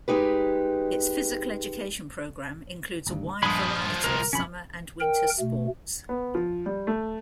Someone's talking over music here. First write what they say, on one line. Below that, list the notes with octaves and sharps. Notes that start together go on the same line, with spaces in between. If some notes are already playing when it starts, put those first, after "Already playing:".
Its physical education program includes a wide variety of summer and winter sports.
G#3 D#4 G4 B4
G#1 D2 G2
A#1 G2 F3 G#3 B5 D#6
D1 C2 A#4
F#1 B1 F2 C#4 B5
A#4 G5
B2 A3
B3
F3
G3
A3